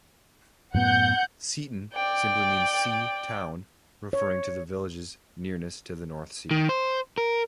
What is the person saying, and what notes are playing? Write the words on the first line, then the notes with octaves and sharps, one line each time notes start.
'Seaton' simply means 'sea town', referring to the village's nearness to the North Sea.
F#2 A2 B3 F#5 G6
D5 G5
C#5
D#3
C5
A#4